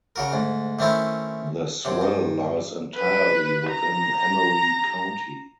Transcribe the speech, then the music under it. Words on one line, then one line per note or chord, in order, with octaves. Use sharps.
The swell lies entirely within Emery County.
C#3 F#4 A#4
D2 G#2
D#3 A3 C4 C#4 E4
F#2 C3
G2
B4
A#5